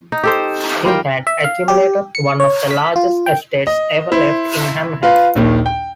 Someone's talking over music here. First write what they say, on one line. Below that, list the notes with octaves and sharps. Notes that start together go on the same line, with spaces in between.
He had accumulated one of the largest estates ever left in Amherst.
D#4
G4 A4 C5
G3 F4 A#4 G5
E5
F5
G4
C#7
C#5
B6
F4
G5
D#5
E4 C5
F4 B4 F5
A#1 D#2 D#3
G5